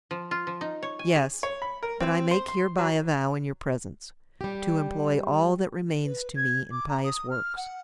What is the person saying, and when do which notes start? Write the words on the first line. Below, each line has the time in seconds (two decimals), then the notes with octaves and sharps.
"Yes, but I make hereby a vow in your presence, to employ all that remains to me in pious works."
0.11 F3
0.31 F4
0.47 F3
0.61 D#4
0.83 C#5
0.99 G#5
1.16 G#4
1.43 C#5
1.62 B5
1.83 A#4
2.01 C4
2.31 C5
2.48 C6
2.78 F#3
4.41 G3 G4
6.04 B4
6.35 G#6
6.71 D6
6.89 A#5
7.04 D#6
7.30 F6
7.56 F#5